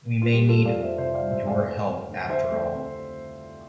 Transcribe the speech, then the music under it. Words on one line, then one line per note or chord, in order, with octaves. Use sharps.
We may need your help after all.
F4
G3 G4
F4 A4
F2
D5 F5
F2
C5 E5
C3 C5 E5
D5 F5
G3
C5 E5
F2
D5 F5
A3
C4
D2
D3 C5 E5
A3
C4